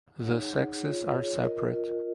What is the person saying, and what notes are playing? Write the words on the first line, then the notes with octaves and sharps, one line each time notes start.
The sexes are separate.
D#4 G#4 C#5 F#5
D#4 G#4 C#5 F#5
F4 G#4 C#5
F4 G#4 C#5
F4 A#4 D#5
F4 A#4 D#5